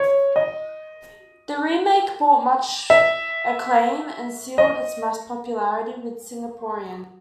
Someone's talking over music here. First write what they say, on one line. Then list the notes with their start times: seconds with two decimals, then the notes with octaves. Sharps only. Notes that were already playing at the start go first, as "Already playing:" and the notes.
The remake brought much acclaim and sealed its mass popularity with Singaporeans.
Already playing: C#5
0.36 D#5
2.90 E5
4.58 D#5